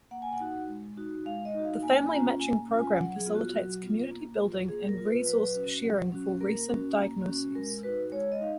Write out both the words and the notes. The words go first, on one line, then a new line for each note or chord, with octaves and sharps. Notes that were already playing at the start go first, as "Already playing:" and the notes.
The family matching program facilitates community building and resource sharing for recent diagnoses.
A#3 F#5
G#5
F#5
D#4 F#4
G#3
D#4 F#4
G#3 F5
D#5
D#4 F#4
F5
A#3 G#5
G#5
C#4 F4 A#5
A#3 G#5
C#4 F4
G#5
F#3 F#5
G#4
B3 F4
F#4
F#3
B3 F4
A#3
F4
A#3 G#4
A#4
F4
B4
F#3 B4
C#4 F#4
F#3
C#4 F#4
A#3 A#4
C#4 F#4
A#3
C#4 F#4
G#3 A#4
D#4 F#4 B4
G#3 C#5
D#5
D#4 F5